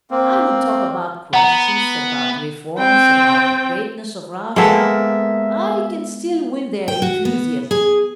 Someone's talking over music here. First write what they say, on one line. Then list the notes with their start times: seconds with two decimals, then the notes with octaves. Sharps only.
I will talk about questions, about reforms, about the greatness of Russia.... I can still win their enthusiasm!
0.11 A#3 C4
1.33 B3 F#5 A#5
2.78 C4 G5
4.56 G#3 A#3 B3 A4 E5
6.88 G5
7.02 F#4
7.25 B3
7.71 G#4